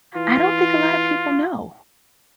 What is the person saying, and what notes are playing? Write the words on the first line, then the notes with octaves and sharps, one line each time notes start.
I don't think a lotta people know.
E3 F4